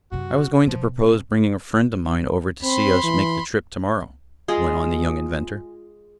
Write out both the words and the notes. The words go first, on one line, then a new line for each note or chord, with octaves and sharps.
"I was going to propose bringing a friend of mine over to see us make the trip to-morrow," went on the young inventor.
F#2 C3 F#4
C#3
B2 F3
F2
C4 B5 C6
E3
G#3 F4 G#4